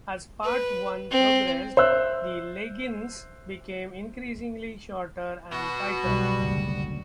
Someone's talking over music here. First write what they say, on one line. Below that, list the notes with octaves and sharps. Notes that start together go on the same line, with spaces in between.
As Part One progressed, the leggings became increasingly shorter and tighter.
B4
C4
C5 E5 E6 F#6
B2 F#4
B1 G3
F#1 D2